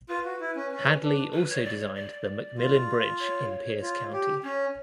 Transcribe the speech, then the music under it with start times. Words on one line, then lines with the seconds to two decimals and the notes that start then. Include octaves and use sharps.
Hadley also designed the McMillin Bridge in Pierce County.
0.09 F4 B4
0.25 F#4
0.40 E4
0.56 C#4
0.72 C#4
1.03 D4
1.33 B4
1.49 C#5
1.64 D5
1.79 C#5
1.95 D5
2.58 F4
3.20 C#5
3.82 F4
4.13 G4
4.43 C#4 C#5